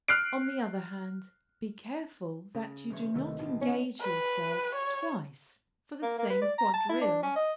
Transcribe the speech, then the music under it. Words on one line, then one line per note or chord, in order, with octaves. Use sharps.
On the other hand, be careful that you do not engage yourself twice for the same quadrille.
F6 F#6 C7 D7
C#3
E1 C4 C#5
C2 C3 D#3 A3
A1 B2 A5
B3 C#4
B4
C#5
A#3
A#3
B4
D5
A#5
A5
E4
D4
C#4
D#5